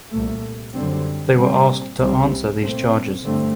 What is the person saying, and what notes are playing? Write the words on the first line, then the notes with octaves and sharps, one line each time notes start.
They were asked to answer these charges.
C2 A#2 A3
F#2 D3 G3 C4
A#2 G3 C4
C2 C3 G3 C4
A#2 A3 C4
G2 D3 A3 C4